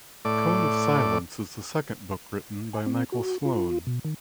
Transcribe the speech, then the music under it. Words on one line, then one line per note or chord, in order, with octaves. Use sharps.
"Cone of Silence" is the second book written by Michael Sloan.
A2 D5
G#5
C4
F#4
F4
B2
D#3